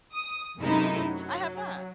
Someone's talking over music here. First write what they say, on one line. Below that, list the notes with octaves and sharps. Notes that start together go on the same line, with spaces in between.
I have not.
D#6
F#2 C3 G#3 A3 D#4 E4
F#3